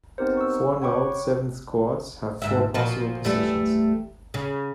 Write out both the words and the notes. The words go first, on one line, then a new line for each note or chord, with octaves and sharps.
Four-note seventh chords have four possible positions.
B3 C4 D#4 G4 A#4 C5
C#6 E6
C#5 F#5 G5 B5 C#6 D6
D2 G#2 E5
A#2 F3 F#4
E2 G3 A3
C#3